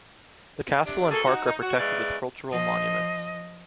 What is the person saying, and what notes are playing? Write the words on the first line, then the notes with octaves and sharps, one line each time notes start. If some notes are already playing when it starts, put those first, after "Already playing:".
The castle and park are protected as cultural monuments.
C3 D4
A#3 F#4 G#4 A4
D#4 F#4
D#4
F#4
E2 C#3 E3 G#3 D5
F3 D#5